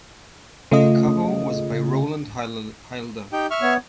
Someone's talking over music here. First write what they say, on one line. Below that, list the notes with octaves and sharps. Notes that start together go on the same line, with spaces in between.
The cover was by Rowland Hilder.
C#3 A3 F4 D#5
D#4 G4 G5
E5 C#6 F6
B3 C#5